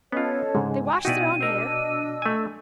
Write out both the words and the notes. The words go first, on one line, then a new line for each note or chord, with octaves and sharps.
They washed their own hair.
B3 C#4 F4 A4 C#5 D#5
G#2 C#3 G#3
G5 G#5
B2 D#4 E4 F#4 D5 D#7
D4 A#4 C5 D#5 E6
A3 G#5